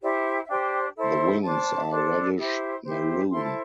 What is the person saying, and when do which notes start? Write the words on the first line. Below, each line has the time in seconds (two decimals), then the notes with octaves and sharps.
The wings are reddish maroon.
0.01 E4 G4 C5 D5
0.24 E5
0.44 E5
0.48 D4 G4 C5 G5
0.96 E4 A4 C5
1.43 D4 C5 A5
1.90 D4 A4 C5
2.37 E4 G4 C5
2.84 E4 G4 C5
3.31 E4 A4 C5 C6
3.43 A5